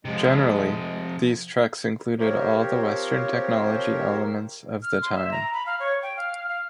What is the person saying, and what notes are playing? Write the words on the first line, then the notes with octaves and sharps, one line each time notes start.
Generally, these trucks included all the western technology elements of the time.
C3 F3 G#3
F3 C4 G4 A#4 C5 C#5
F6
C6
E5
A#5
B5
F5
C#5
G5
F5
F5